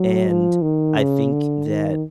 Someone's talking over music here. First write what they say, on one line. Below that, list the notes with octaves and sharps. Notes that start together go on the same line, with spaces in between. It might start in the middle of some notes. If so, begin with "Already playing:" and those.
and I think that
Already playing: F#3
F3
D#3
C#3
D3
D#3